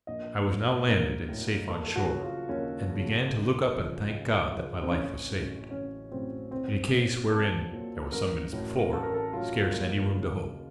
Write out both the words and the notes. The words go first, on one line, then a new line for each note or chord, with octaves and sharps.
I was now landed and safe on shore, and began to look up and thank God that my life was saved, in a case wherein there was some minutes before scarce any room to hope.
A#1 D#5
A2 F#3
A#1 A#4
A2 F#3
D#2 A4
A4
F#4
C#3 F#3
F4
D#2 C#4
C#3 F#3
C#2
C#3 F3
C#2
C#3 F3
C4
A1 C#4
A2 F#3
A1 C#4
A2 F#3 C4
C2 C4
A#2 F#3
C2 A4
A#2 F#3
A1 A#4
A2 F#3
A1 A4
A#4
A4
A2 F#3 F4
D#2
C#3 F#3